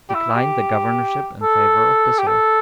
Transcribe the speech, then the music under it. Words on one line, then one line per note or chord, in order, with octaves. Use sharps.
Declined the governorship in favor of Bissell.
G4
E4
G4
A4
G4
A4